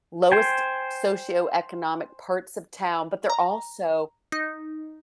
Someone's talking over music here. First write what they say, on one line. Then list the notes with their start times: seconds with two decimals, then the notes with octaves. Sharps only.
lowest socioeconomic parts of town, but they're also
0.32 C5 G5 G#5
3.30 A#5
4.32 D#4